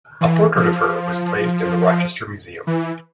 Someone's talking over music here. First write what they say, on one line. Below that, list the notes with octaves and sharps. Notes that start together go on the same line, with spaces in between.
A portrait of her was placed in the Rochester museum.
E3
F3
E3